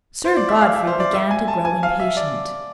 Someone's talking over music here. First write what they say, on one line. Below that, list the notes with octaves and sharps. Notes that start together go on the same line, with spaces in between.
Sir Godfrey began to grow impatient.
C5
D5
E5
F5
E5
C5
D5
E5
G#5
A5
G#5
F5
E5
D5